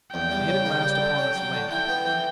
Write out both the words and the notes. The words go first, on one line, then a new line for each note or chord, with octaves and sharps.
I hit at last upon this lamp.
E2 G5
G3
C#3
A#3
G3
D3
C#4
F#3
D3
E4 G5
B3
E3